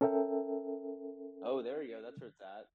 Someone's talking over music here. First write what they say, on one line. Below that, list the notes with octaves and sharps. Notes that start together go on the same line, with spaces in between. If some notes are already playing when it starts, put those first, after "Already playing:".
Oh, there you go, that's where it's at.
C#4 A4 A#4 E5 G5